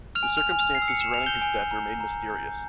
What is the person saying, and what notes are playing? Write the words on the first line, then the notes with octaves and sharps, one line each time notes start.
The circumstances surrounding his death remain mysterious.
F6 F7
G#5
F6 F7
G#5
F6 F7
C7
E6
C#7
E7
G#5 F7
G6 G7
G#5
A#5
A#5
G6